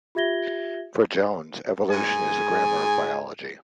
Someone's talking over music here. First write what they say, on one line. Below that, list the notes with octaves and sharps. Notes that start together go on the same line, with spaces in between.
For Jones, 'evolution is the grammar of biology'.
F4 G4 E5 G#6 A#6 G7
G#2 G#4 G#5